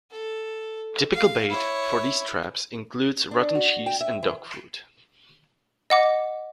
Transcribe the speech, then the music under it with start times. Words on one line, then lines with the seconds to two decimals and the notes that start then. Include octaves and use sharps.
Typical bait for these traps includes rotten cheese and dog food.
0.11 A4
1.13 F5
1.49 E4 C#5
3.31 D4
3.55 F#4
3.86 G5
4.01 E5
4.23 E3
5.90 D#5 F#5 D6